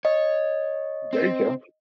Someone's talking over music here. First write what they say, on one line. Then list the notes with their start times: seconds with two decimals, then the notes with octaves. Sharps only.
there you go.
0.05 C#5 D#5
1.13 C4